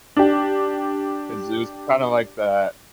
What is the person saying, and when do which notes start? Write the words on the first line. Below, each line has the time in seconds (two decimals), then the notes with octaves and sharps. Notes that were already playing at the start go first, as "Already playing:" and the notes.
'Cause it was kinda like that
0.17 D4 G4